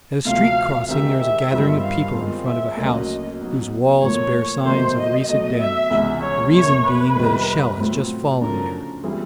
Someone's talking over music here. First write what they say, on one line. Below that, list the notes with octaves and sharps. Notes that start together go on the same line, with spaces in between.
At a street-crossing there is a gathering of people in front of a house whose walls bear signs of recent damage, the reason being that a shell has just fallen there.
D2 C3 F3 F5
D#3 G#3 C4 D#4 G4 E5
E5
G2 D#3 G3 C4 F4
F5
D#3 G#3 C4 F4
E5
D2 C#3 F#3 A#3 D#5
B2 F#3 B3 D#4
A2 F3 A#3 C#5
E2 C3 D#3 F#3 A3 C5
D#5
B2 F#3 A3 D#5
E5
C#2 C3 E3 G#3 B3
C#5
F2 C3 F3 A#3 C#5
B4
F2 C3 D#3 G3
A2 F#3 A3 C4 F4
C#3 F3 A3 D4 F#4 A#4
E3 G3 C4 F4 G#4